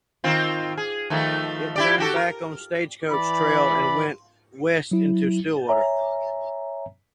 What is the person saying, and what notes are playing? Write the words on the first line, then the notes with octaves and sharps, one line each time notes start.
It turned back on Stagecoach Trail and went west into Stillwater.
D#3 C4 F4
G#4
D#3 F3 A3
E4 G4 D5
F#4 G4 A4
A#4
E3 D5 B5
F#3 E4
C#5 E5 G#5 A#5